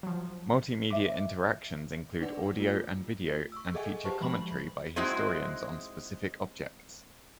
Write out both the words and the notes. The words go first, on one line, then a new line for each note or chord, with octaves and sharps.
Multimedia interactions include audio and video, and feature commentary by historians on specific objects.
F3 F#3
D#5 E5 D6
D4 D#4 B4 D5 F#5
A3 F4
C#6 E6
G#4 A4 D#5 E5 F#5 G#5
G4 B4 C5 A5 C#6
F3 G#3 B5 F#7
G#3 C4 D#4 E4 F#4